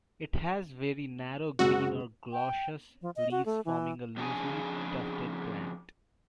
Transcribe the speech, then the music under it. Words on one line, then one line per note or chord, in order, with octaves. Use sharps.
It has very narrow green or glaucous leaves forming a loosely tufted plant.
F#1 G#3 F#4 E6
G5
F3
D#5
F#4
A3
E3
F2 C#3 D4 F#4 G#4 G#5